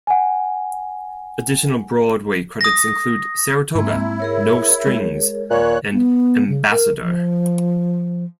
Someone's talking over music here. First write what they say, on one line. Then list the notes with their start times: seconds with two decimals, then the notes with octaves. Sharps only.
Additional Broadway credits include "Saratoga", "No Strings", and "Ambassador".
0.07 F#5 G#5
2.61 D#6 A#6
3.75 G#2 G#3 A#3 C4 E4
4.20 G#4 A#4 C#5
4.87 G#3
5.51 D#2 A#2 C#5 F#6
5.92 B3
6.49 C#3
6.71 A#4
7.01 F3